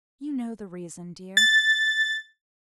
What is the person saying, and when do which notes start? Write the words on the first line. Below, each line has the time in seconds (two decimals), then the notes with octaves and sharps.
'You know the reason, dear.
1.37 A6